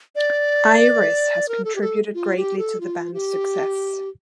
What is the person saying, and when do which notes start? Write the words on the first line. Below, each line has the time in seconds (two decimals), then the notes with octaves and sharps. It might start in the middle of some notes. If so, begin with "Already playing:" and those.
"Iris" has contributed greatly to the band's success.
0.15 D5
1.48 A#4
1.65 A4
1.75 G4
1.81 A4
2.14 F4
2.36 G4
2.59 A4
2.81 F4
3.14 G4